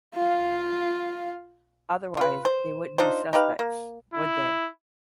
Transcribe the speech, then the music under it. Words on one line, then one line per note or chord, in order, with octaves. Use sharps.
Otherwise, they wouldn't be suspects, would they?
F4 F5
F4 B4
C5
D4 D#4 F4 C5
D#4 G4 B4 F5
A#3
E4